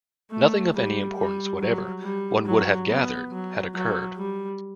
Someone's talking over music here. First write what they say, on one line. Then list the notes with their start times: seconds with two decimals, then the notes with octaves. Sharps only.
Nothing of any importance whatever, one would have gathered, had occurred.
0.31 A3
0.74 G3
1.17 G3
1.59 F#3
2.02 G3
2.46 F#3
2.89 B3
3.32 F#3
3.75 F#3
4.17 G3